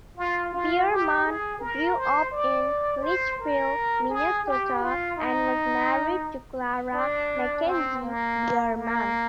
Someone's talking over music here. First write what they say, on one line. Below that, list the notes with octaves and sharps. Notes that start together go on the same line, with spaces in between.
Bierman grew up in Litchfield, Minnesota and was married to Clara McKenzie Bierman.
F4
F4
G4
G#4
A#4
C5
D5
C5
A#4
G#4
G4
F4
D#4
D4
C4
A#3
A#3